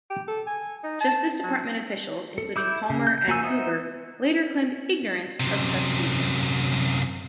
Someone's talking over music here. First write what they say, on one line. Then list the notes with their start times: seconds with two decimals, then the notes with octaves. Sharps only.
Justice Department officials, including Palmer and Hoover, later claimed ignorance of such details.
0.10 G4
0.28 A4
0.47 G#5
0.83 D#4
1.00 A5
1.44 F#3
2.38 A4
2.56 E4 D6 G6
2.90 C#3
3.07 G6
3.28 A#3 F#4 G#5 E6
3.42 D#4 C5 E5 F#5 D#6
5.40 F#2 C3